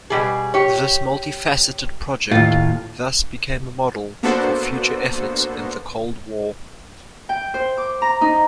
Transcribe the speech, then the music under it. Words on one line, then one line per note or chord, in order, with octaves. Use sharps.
This multifacted project thus became a model for future efforts in the Cold War.
B2 G3 G#4
G4 C#5
D#2 A2 F4
A#3 B3 D4 F#4 A4 C5
G5
C5
D6
A#5
D#4